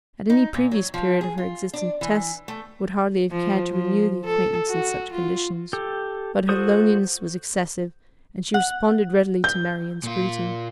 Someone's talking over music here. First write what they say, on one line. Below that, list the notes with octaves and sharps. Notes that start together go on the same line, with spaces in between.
At any previous period of her existence Tess would hardly have cared to renew the acquaintance in such conditions; but her loneliness was excessive, and she responded readily to Marian's greeting.
D#4
A#2
F#3
F3
G#4
F4
D4
E3
A3
F3
F3
A4
F#4
F4
G4 A4
F4 F#4 A4 C5 D#6
F#5
G6
A#2 F4